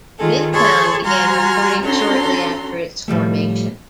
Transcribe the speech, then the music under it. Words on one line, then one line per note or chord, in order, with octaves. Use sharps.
Midtown began recording shortly after its formation.
D#3 F4 G#4 A4
G#4 A4 C#5 C6 C#6 G#6
G3 F#4 G#5 A#5 C6 F6
C#4 D4 F#4 A4 A#5 C6
A2 F3 G3 A3